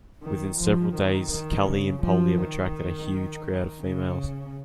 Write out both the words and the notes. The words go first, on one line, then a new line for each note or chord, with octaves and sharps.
Within several days Calli and Polly have attracted a huge crowd of females.
D#3
F3
D#3
D#3
C#3
F3
D#3
C#3